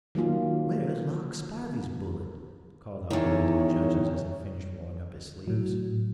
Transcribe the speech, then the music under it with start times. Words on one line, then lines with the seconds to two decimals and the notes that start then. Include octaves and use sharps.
"Where's Lark Spivey's bullet?" called out Billy to the judges, as he finished rolling up his sleeves.
0.15 D#3 F#3 A#3 F4
3.10 E2 D#3 C#5
5.48 A2 F#3